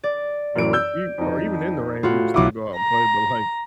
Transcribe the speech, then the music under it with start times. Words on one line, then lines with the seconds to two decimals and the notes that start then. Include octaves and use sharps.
you know, e or even in the rain we would still go out and play, but, like,
0.03 D5
0.56 F#2 E3 D7
0.73 E6 G6
1.18 F2 D#4
2.03 A2 F4 F#4
2.34 B1 B3 E4 D6
2.77 A#5